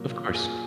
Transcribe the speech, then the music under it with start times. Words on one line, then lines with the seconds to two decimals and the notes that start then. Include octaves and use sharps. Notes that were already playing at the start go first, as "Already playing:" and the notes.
of course.
Already playing: A#2 F#3 A#3
0.10 F4
0.34 G#4